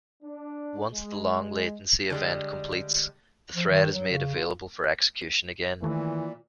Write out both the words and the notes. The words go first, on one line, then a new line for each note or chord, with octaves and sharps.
Once the long-latency event completes, the thread is made available for execution again.
D4
G#3
D3 G3 G#3
F3
D#3
F#3
C#3
F4
D#2 A#2 E3 A3